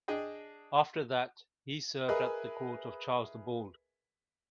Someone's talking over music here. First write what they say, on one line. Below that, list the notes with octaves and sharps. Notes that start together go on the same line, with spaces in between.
After that, he served at the court of Charles the Bald.
D4 G#4 D#5 G5
G#4 A#4 B4 D#5 E5 G#5